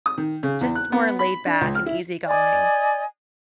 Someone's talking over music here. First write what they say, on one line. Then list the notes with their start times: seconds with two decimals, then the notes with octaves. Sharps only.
just more laid back and easy-going.
0.06 D#6
0.18 D#3
0.43 C#3
0.61 E2
0.75 F#6
0.92 B3
1.19 B5
1.46 D4
1.61 C#2
1.75 F6
1.86 E4
2.26 D5 D#5 G#5